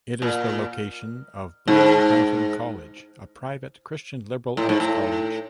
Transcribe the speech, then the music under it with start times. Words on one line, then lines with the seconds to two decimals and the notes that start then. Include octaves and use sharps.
It is the location of Blue Mountain College, a private Christian liberal arts college.
0.22 A#2
1.68 G#2
4.57 A2
4.69 G#2
4.80 A2